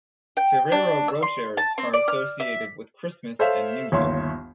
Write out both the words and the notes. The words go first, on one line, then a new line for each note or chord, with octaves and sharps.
Ferrero Rochers are associated with Christmas and New Year.
G5
D4
E6
C6
A5
C4
D5
F6
E5
A4 C5 C#5 E5 F5
G1 D#2 C#5 E5 C6